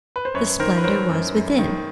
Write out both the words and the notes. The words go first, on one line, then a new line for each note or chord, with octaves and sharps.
The splendor was within.
B4
C5
F#2 B4 C#5
D#3 A#4 C5
B4
F#3 A#4 C5
F#2
F#2
D#3